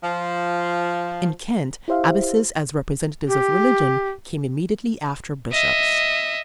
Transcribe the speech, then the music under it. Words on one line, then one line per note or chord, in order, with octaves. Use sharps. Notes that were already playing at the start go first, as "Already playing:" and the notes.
In Kent abbesses, as representatives of religion, came immediately after bishops.
F3
E4 G4 C5 E5 F5
G4
D#5 E5